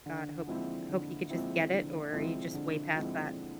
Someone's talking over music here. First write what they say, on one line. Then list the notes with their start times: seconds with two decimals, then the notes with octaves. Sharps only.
"God, I hope he I hope he could just get it," or are you just way past that?
0.06 D3
0.47 F3 G#3 C4 E4
0.89 D3
1.29 F3 G#3 C4 E4
1.71 D3
2.13 F3 G#3 C4 E4
2.54 D3
2.95 F3 G#3 C4 E4